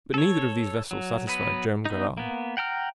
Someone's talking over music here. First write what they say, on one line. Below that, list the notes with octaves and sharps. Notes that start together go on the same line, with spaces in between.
But neither of these vessels satisfied Joam Garral.
A4 C#5
F#3
F#3 B3 B4
B3 D#4
A#3 B3
F#5 G5 A#5 F6